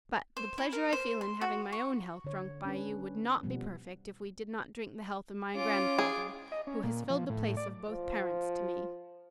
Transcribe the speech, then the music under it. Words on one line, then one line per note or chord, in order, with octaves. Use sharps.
But the pleasure I feel in having my own health drunk by you would not be perfect if we did not drink the health of my grandfather, who has filled the place of both parents to me.
C5
E4
A#4
C5
C6
F#4
C#6
D3 C#5
C#4 D4 B4
B2 F3 G3 B3
C#4 F4 D6
G#4
D#5
C#4
A#2
F3
A2
D5
F3